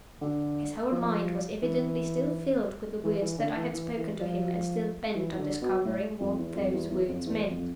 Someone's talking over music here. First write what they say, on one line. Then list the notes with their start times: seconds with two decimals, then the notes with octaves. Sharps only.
His whole mind was evidently still filled with the words that I had spoken to him, and still bent on discovering what those words meant.
0.21 D3
0.92 F3
1.62 E3
3.03 E3
3.21 E3
3.38 D3
3.56 E3
3.74 E3
3.97 E3
4.20 F3
5.15 E3
5.33 E3
5.38 D3
5.61 B2
5.85 A2
6.20 F2
6.38 E2
6.55 F2
6.73 E2
6.90 E2
7.08 F2
7.26 E2
7.49 F2